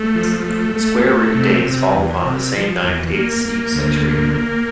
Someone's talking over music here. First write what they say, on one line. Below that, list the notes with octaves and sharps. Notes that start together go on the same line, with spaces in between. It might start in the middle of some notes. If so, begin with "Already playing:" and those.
Square Root Days fall upon the same nine dates each century.
Already playing: A3
F3
A3
A3
A3
C3
C3
E2
C3
F3
E2
A#3
A#3
D2
A#3
A#3